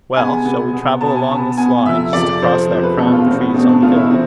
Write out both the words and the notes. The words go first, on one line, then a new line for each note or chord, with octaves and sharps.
"Well, shall we travel along this line, just across that crown of trees on the hill?"
C3 G#3 B3 G#5
C3 G#3 B3
B2 B3
B2 B3 A5
G#5
B2 B3 A5
B2 B3 G#5
F2 C3 F3 E5
F2 C3 F3 D5
F2 C3 F3 C5
F2 C3 F3 C5
B4
E2 B2 A3 A4
F4
E2 B2 A3 C4
B3
E2 B2 A3 C4
D4
E2 B2 A3 F4
E4
C3 E3 C4